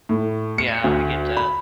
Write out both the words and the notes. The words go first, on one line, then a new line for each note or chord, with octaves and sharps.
Yeah, I get that.
A2
C#7
D2
B5